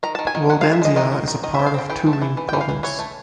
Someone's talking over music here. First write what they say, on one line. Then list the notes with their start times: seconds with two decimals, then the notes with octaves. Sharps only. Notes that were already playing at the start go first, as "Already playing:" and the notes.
Waldensia is a part of Turin province.
0.03 D#3 A#5
0.15 D#3 A5
0.27 G#5
0.35 D#3
0.50 D#3 F#5
0.61 G#3 F5
0.73 E5
0.82 G#3 D#5
0.96 D#3 D#5
1.12 D#3
1.28 D#3
1.43 D#3 D#5
1.54 C4 E5
1.66 F5
1.74 C4 G5
1.90 E3 G5
2.06 A3
2.13 A5
2.22 E3
2.37 E3
2.49 E3 G5
2.61 F5
2.69 E3
2.83 E3 C#5
2.99 A3